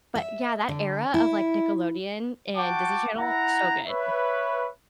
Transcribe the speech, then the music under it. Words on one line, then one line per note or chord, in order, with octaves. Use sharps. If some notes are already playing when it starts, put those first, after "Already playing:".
but yeah, that era of, like, Nickelodeon and Disney Channel, so good.
E5
D3
E4
F#4 F#5 G5 A5 C#6 D6
E4 F#5 A#5
B4 C#5 E5